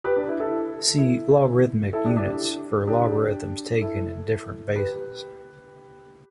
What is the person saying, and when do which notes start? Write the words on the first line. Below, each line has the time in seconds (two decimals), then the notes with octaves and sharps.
See logarithmic units for logarithms taken in different bases.
0.04 G4 B4
0.16 D4
0.28 E4
0.40 E4 A4
0.98 E4
1.93 E4 A4
2.05 D4 G4
2.16 D4 G4
2.29 E4
2.87 D4 G4
3.81 E4 A4
4.75 G4 B4